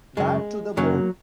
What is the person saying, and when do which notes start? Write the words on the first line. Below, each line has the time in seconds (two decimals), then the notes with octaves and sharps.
Bad to the bone.
0.17 F#2 C#3 G#3
0.77 F#2 C#3 F#3 A#3